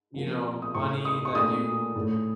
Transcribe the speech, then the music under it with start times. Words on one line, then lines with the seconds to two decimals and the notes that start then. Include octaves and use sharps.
you know, money that you
0.14 C3 F3 A#3
0.62 D#6
0.75 A2 A3 C#6
1.05 D#6
1.25 C#6
1.35 A#2 A3 D#6
1.96 A2 A3